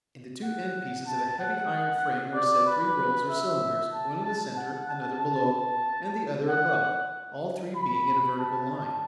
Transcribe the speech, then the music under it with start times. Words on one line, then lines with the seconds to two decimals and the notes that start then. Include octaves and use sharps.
In the two end pieces of a heavy iron frame were set three rolls, or cylinders--one in the centre, another below, and the other above--all three being in a vertical line.
0.43 F#5
1.07 A5
1.39 F#5
2.34 D5
2.66 B4
3.30 E5
3.93 A5
4.24 A5
4.57 F#5
4.89 A5
5.20 A5
6.48 F#5
7.75 B5
8.39 A5
8.71 A5